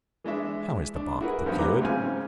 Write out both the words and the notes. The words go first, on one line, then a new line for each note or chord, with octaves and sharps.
How is the bark procured?
E3 G#3 D4 E5
D4
E4 F#4 G#4 A#4 B4
G2 F3 B3 D#4 G#4
A1 F#3 B3 A#5 D6
G#2 C#3 C4 F4 G#5 F6